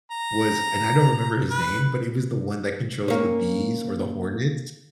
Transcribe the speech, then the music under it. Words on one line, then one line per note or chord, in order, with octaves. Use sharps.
was and I don't remember his name- but it was the one that controls the bees or the hornets.
A#5
B4
A#3 C#4